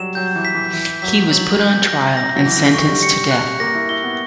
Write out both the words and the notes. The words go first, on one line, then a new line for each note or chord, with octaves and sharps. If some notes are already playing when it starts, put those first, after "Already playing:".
He was put on trial and sentenced to death.
Already playing: F#3 G3 E7
F#3 G6
E3
B6
E3
E3 B6
F#3 B6
F#3 F#7
G6
A#6
A#6
F#3
E3 A#6
D3
E3 C#6
G3
C#7
F#6
A#3 A#6
E4
E4 G7
B3